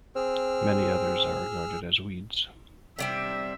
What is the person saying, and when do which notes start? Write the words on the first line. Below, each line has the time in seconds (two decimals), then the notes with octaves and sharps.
Many others are regarded as weeds.
0.16 C4 G#4 E6 F6
2.99 C3 G3 C4 E5